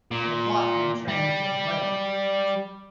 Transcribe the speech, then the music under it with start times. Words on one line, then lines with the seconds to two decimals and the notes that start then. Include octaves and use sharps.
The plot had changed as well.
0.11 A#2
1.08 G3